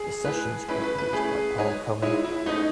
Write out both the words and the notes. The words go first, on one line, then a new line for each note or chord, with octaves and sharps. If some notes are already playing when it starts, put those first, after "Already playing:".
The sessions were produced by Paul Cohen.
Already playing: G#4
A3 E4 B4
A3 C#4 E4 B4
B4
B4
A3 C#4 E4 G#4
G#3 D#4 G#4 C#5
G#3 D#4 E4 G#4 C#5
E4
A3 C#4 D#4 G#4 B4 D#5